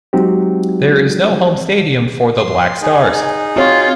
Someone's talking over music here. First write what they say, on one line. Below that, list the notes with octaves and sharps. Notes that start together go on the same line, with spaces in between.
There is no home stadium for the Black Stars.
F#3 G#3 C4 D#4 F#4 G4
F3 C6
D#4 G#4 G#5
C4 F4 F#4 C#5